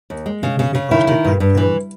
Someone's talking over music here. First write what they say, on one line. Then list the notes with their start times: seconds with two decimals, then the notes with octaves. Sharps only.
It will be hosted by Peru.
0.10 D#2
0.26 G#3
0.43 C#3
0.59 C#3
0.75 C#3
0.91 D#3 E4
1.07 D#3
1.24 G2
1.40 G2
1.57 E3